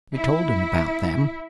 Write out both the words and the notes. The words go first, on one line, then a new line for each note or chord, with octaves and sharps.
We told him about them.
E4